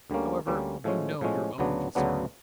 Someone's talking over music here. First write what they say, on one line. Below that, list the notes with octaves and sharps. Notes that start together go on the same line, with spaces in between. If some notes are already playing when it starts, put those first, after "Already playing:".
However, you know your own concern.
D2 D3 G3 A#3 C#4
D2 D3 G3 A#3 C#4
A2 F3 G#3 C#4
A2 F3 G#3 C#4
D2 C#3 F#3 B3 D4
D2 C#3 F#3 B3 D4